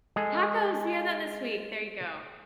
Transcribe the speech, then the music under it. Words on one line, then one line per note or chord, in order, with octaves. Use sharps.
Tacos, we had that this week, there you go.
G#3 G#4 A4